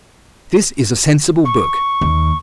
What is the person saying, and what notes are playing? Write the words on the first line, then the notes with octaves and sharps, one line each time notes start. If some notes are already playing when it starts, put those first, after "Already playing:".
This is a sensible book.
C#6
D#2